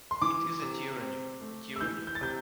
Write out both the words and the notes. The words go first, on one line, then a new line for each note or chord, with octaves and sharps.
It is a tyranny — a tyranny.
C6
E3 D6
C3
C4
A3
E6
E3 G6
G6
A6
C3 G6